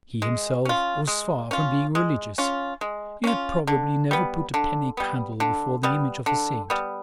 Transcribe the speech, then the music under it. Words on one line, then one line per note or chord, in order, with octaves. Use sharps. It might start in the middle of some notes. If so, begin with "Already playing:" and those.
He himself was far from being religious; he had probably never put a penny candle before the image of a saint.
G#3
C#4 F4
G#3
C#4 F4
G#3
C#4 F4
G#3
C#4 F4
D3
G3 B3
D3
G3 B3
D3
G3 B3
D3
G3 B3